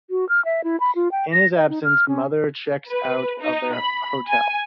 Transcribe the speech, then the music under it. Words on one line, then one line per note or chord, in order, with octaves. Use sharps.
In his absence Mother checks out of their hotel.
F#4
F6
E5
E4
B5
F4
G5
A#6
D#5
D#4
F6
C#4
B4
D#4
B5
G#5